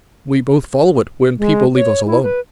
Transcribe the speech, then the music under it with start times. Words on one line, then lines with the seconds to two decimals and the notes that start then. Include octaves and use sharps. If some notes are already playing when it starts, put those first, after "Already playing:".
We both follow it, when people leave us alone.
1.38 G#3
1.76 C#5
2.07 E4
2.23 B4